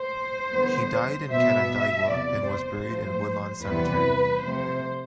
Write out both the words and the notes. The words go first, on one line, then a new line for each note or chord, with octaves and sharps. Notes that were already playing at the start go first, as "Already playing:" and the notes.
He died in Canandaigua and was buried at Woodlawn Cemetery.
Already playing: C5
E2 D3 G3 B3
B2 B3 E5
E2 C3 F3 B3 D5
C5
A2 F3 A3
E2 C3 E3 G3 B3 B4
C3 F3 A3 C5